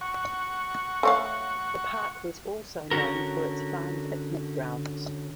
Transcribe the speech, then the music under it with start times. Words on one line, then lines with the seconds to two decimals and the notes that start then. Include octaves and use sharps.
The park was also known for its fine picnic grounds.
0.01 F#5 C#6
1.03 A3 C#5 F5
2.91 D3 C#4 F#4 A#4